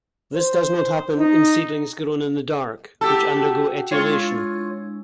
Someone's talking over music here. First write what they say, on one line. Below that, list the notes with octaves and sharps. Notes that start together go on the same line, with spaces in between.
This does not happen in seedlings grown in the dark, which undergo etiolation.
C5
D#4
A3 E4 G4 A4 F#5 A#5
F#4 F#5 G5
G#3 D4 E4 F4 C#5